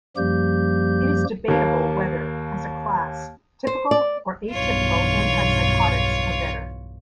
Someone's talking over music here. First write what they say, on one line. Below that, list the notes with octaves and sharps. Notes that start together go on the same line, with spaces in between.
It is debatable whether, as a class, typical or atypical antipsychotics are better.
F#2 F3 G3 A#3 G4 G6
D#2 A#3
C5
D5
B1 E2 G2 F4 C#5